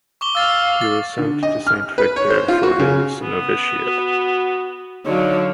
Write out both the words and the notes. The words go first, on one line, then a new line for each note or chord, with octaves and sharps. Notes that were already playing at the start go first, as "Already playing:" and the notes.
He was sent to Saint Victor for his novitiate.
C#6 D6 G7
F5 E6 A6
A6
A6
D3
D#5
F6
B4
C#5
C5
F4
F#4
C#3
B3
F#4
D3 F#3 D#4 C#5 F5